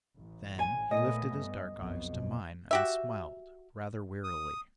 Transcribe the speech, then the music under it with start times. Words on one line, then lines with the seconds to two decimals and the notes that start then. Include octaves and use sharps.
Then he lifted his dark eyes to mine, and smiled, rather wearily.
0.16 A1
0.59 G#5
0.91 A#2 A3 B3 D#5
1.35 G2
1.75 B1 F2 B2
2.71 F#4 G4 E5
4.24 D#6